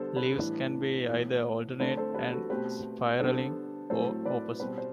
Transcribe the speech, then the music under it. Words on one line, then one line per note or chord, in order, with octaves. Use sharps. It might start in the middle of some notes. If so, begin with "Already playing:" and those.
Leaves can be either alternate and spiraling, or opposite.
Already playing: D3 G3 B3 A4 C5
G4 B4
A2 E3 G3 D4
A2 E3 B3
D3 A3 C4 B4 D5
A4 C5
G4 B4
F#4 A4
B2 A3 C4 G4 B4
D3 G3 B3 D4 A4 C5
A2 F#3 A3 C4 A4 C5
B4 D5
B2 G3 C4 G4 B4
C5